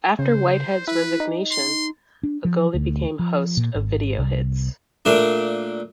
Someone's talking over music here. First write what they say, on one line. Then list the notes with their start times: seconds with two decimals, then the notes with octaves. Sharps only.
After Whitehead's resignation, Agolley became host of "Video Hits".
0.19 C#3 C5
0.88 E4 B4
1.20 D#4
1.51 C6
2.23 D4
2.45 F3
2.74 D2
3.19 F3
3.57 A#2
3.75 G#1
4.18 C2
5.05 A#2 A3 D4